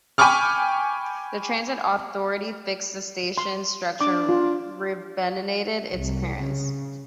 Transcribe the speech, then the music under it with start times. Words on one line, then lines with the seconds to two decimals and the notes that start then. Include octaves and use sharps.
The Transit Authority fixed the station's structure and renovated its appearance.
0.18 G5 G#5 B5 C#6 D6 F6
3.38 C6
4.01 D4 D6
4.29 F4
5.94 C2
6.41 C#3